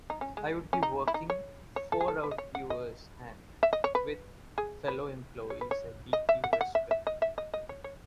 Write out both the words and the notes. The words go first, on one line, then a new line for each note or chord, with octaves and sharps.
I would be working "for our viewers", and "with" fellow employees I deeply respect.
D#4
C#4
G#3
C#4
D#4
E4
D#4
C#5
C#5
A4
G#4
A4
B4
D#5
C#5
F#5
D#5
E5
D#5
C#5
B4
G#4
B4
C#5
B4
C#5
D#5
E5
F#5
E5
F#5
E5
E5
D#5
E5
D#5
D#5
C#5
C#5